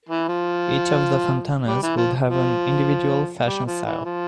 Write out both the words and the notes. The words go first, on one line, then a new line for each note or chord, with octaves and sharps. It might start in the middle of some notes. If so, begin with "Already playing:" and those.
Each of the Fantanas would have an individual fashion style.
E3
F3
G3
E3
F3
F3
G3
F3
E3
F3